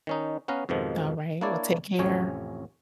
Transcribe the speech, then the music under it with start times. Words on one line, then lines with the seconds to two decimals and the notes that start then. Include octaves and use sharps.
Alright. Well, take care.
0.07 D#3 C#4 D#4
0.48 B3 C#4 B4 F5 A#5
0.69 F2 G#2 B2 D#3 F3
1.41 A#3 D4 E4 C#5 D5
1.99 A1 F2 C3 C#4 C#5